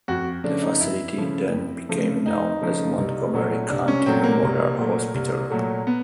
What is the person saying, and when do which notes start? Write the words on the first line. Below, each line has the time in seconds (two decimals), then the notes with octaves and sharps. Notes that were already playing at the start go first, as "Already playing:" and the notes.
The facility then became known as Montgomery County Memorial Hospital.
0.08 F2 F#4
0.44 C#3 F3 A3 D4
0.63 D#4
0.80 F2 E4
1.17 C#3 F3 A3
1.53 F2
1.89 C#3 F3 A3
2.25 F2 D#4
2.61 C#3 F3 A3
2.97 C2
3.33 A#2 F#3 A3
3.70 C2 D4
3.88 C#4
4.06 A#2 F#3 A3 C4
4.23 A#3
4.42 C2
4.78 A#2 F#3 A3
5.14 C2
5.50 A#2 F#3 A3
5.87 B3